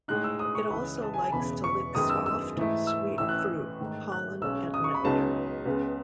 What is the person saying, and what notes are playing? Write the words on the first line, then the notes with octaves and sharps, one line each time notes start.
It also likes to lick soft, sweet fruit, pollen and nectar.
A2 G#3 D#4 F#6
E6
D#6
C#6
C#2 C#3 E3 B5
A5
G#5
A5
E1 E2 C#3 E3 B3 B5
C#6
F#1 F#2 D#3 G#3 B3 D#6
E6
E6
G#2 E3 A3 E4
E6
A1 A2 E3 A3 E6
F#6
E6
G#2 D#3 A3
F#6
B1 B2 G#3 C#4 E6
D#6
C#6
B5
C#2 C#3 F#3 B3 D#4 A5
C#2 C#3 G#3 B3